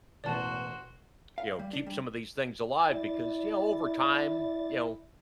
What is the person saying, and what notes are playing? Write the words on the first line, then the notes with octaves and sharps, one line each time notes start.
you know, keep some of these things alive because, you know, over time, you know,
E1 A1 E2 F#4 C5 D5 A5
F5
G3
D4
G3
E4 D5 A6